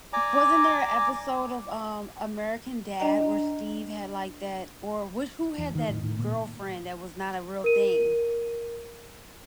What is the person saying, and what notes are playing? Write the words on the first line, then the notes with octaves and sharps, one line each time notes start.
W wasn't there a episode of, um, American Dad where Steve had, like, that or which who had that girlfriend that was not a real thing?
D5 G#5 A#5 D6
D4 D5 D#5 G5 A#5
E2
D#3
A2
A2
A#2
A#4 D#7